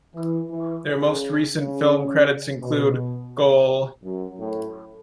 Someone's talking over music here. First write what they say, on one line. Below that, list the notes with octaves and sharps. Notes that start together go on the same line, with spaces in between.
Their most recent film credits include Goal!
E3
E3
C#3
C#3
B2
F#2
A2